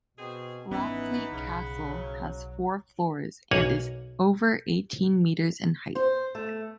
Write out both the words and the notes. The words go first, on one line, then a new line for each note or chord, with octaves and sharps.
Rockfleet Castle has four floors and is over eighteen metres in height.
B2 C4 G#4
G#1 E3 B3 C#4 D#4 F#5 B5
B1 C#3
F#3
B1 A#3 C#5 F#5 G#5
C5
A3